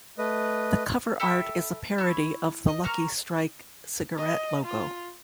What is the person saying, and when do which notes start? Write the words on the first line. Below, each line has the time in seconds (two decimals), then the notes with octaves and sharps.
The cover art is a parody of the Lucky Strike cigarette logo.
0.18 A3 B4 D#5
1.20 A4 E5 G5 B5
1.98 E4 C#6
2.68 D#5
2.84 A#3 A#5 C#6 F6
4.18 D#5
4.64 F4